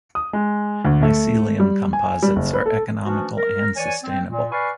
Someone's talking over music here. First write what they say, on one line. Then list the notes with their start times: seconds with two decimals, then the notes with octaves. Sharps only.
Mycelium composites are economical and sustainable.
0.15 D#6
0.33 G#3
0.85 D2
1.03 A3
1.60 G3
1.93 G#5
2.23 G3
2.36 F#1
2.53 B4
2.66 A4
3.06 E3 F3 A3 C#4 D4 F#4
3.38 A#4
3.76 E3 C#5 D5 G#5
4.04 C4
4.30 A#2
4.52 B4 D5 F5 G#5 B5 C#6